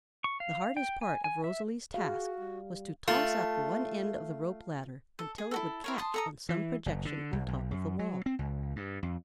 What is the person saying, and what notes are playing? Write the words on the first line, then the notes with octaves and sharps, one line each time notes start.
The hardest part of Rosalie's task was to toss up one end of the rope ladder until it would catch on some projection on top of the wall.
C#6
F5
G5
G#5
G#5
E5
F#4 G#4 F5
G3
A3 F4
A4
G#4
E4 F#4 A4
E4 A#4 C#5
A5 C6 D#6
A4 A#5 D#6
E3
F#1
D3
C2
B1
F#2
F#3
C4
C#2
G2
F2